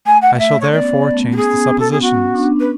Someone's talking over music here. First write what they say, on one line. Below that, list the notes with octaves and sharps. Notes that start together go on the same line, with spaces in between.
I shall therefore change the suppositions.
A3 G#5
F#5
F#5
A3 E5
C#5
B3 D5
C#4
B3
B3
A3
B3
F#4
B3 G#4
C#4
B3
A4
G#4
B3 F#4
C#4
C#4
D4
C#4
B3
C#4 B4